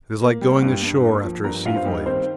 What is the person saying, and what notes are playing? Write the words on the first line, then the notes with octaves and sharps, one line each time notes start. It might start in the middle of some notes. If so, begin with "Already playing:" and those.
It is like going ashore after a sea voyage.
A#3
G3
G2
G2
A#3
F3
G2 A#4 A#5
G2 F4 F5
C5
G3 D#4 D#5
D#3 C4 C5